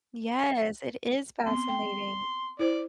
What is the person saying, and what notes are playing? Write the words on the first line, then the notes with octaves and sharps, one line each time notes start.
Yes, it is fascinating.
B3 C4 C6
G5
E4 C5 D5